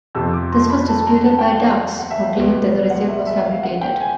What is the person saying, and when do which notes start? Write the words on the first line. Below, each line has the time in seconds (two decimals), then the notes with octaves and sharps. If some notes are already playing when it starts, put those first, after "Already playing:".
This was disputed by Dux, who claimed that the receipt was fabricated.
0.15 F2 C3 F3 E6
0.33 D6
0.52 C6
0.70 B5
0.89 A5
1.06 A#5
1.25 A5
1.39 G5
1.53 F5
1.80 F5
1.99 F#5
2.10 E5
2.17 F5
2.35 C#2 B2 G3 B3
2.72 D5
2.90 F#5
3.08 E5
3.27 E5
3.45 F5
3.63 F#5
3.81 G5
4.00 G#5